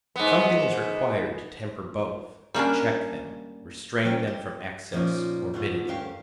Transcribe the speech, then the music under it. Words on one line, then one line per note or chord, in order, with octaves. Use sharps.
Something is required to temper both--to check them, restrain them from excess, morbidity.
G#2 B3
G3 A#3 C#4 D4
C3 G3 C#4 A#4 B4 G5
G4
A#2 F3 A#3 C#4 D#4
G#2 B2 D3 D4 F4 F#4
D2 G2 C#4 G4 A#4 F5